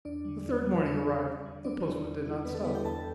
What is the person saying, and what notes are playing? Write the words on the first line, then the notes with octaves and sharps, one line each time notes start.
The third morning arrived; the postman did not stop.
E2 D4 D5
D3 G3
E2
D3 G3
E2 D4 D5
D3 G3
E2
D3 G3
E2 D4 D5
D3 G3 E4
E2
D3 G3 E4
E2 B3 B4
A4
D3 G3 B3 E4 B4
G4 G5
E2 A4 A5